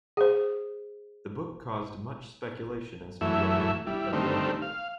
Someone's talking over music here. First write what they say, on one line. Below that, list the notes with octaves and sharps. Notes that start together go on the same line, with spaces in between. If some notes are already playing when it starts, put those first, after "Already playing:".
The book caused much speculation as to the identity of the author.
G#4 C5
F#2 E3 A3 E5
G3 E4
D3 D#3 G3 A3 C4
F5